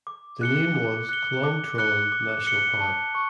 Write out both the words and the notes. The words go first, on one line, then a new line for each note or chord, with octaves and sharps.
The name was "Khlong Tron National park".
D6
F#6 C#7 G7
D6
F#6 C#7 G7
D6
F#6 C#7 G7
D6
F#6 C#7 G7
A5
C#6